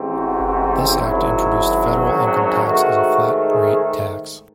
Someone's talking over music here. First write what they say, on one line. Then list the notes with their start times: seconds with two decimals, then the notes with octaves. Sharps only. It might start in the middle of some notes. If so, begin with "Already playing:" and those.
This Act introduced Federal income tax as a flat rate tax.
Already playing: A1 G#2 E3 C4
0.16 F#4
0.98 G#1 F#2 D#3 F#3 E4
2.64 G#2 D#3 A3 F#4
3.48 G#4